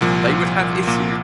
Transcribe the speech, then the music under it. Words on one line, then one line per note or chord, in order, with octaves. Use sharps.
They would have Issue.
C2 A#2 F3
A#2 A#3